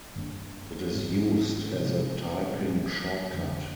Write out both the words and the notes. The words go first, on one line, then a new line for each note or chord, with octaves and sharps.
It is used as a typing shortcut.
G2 D#3 A#3 D4
G#2 G3 C4
C3 F3 G#3
A#2 G3 C4
F2 D3 F3 A#3